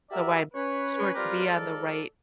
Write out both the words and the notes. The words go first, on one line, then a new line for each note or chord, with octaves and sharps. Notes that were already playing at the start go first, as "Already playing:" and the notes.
So, I'm sure to be on the right
F#4 G4 A#4 D5 E5
C#4 B4 C#5
G3 C4 F4 G4 A#4 B4
F3 G#3 A4 A#4 D5